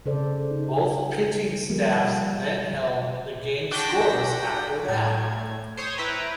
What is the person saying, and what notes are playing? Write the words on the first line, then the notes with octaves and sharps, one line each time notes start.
Both pitching staffs then held the game scoreless after that.
C#3 A4 C5 D5
D#4
G3
D3 F3 G3 A#3
D4 F#4 G5 A#6 B6
A2 G#6
C5 C#5 D#6
E4 B4 G5 A#5